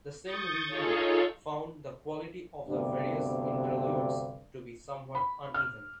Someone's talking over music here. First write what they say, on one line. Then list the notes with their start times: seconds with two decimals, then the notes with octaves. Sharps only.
The same reviewer found the quality of the various interludes to be somewhat uneven.
0.23 C#6 D#6 G6 A6 C#7
0.67 D#4 F4 G#4 A4 C#5
2.68 D2 G2 C3 B3 D4 G4
5.15 B5
5.54 F6